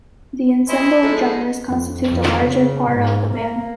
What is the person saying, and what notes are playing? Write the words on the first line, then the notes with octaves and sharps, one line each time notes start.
The ensemble of drummers constitute the larger part of the band.
C#4 E4 C5 D#5
F3 G#3 A3 D#4 A4
F2
F2
C#3
G#2
A#3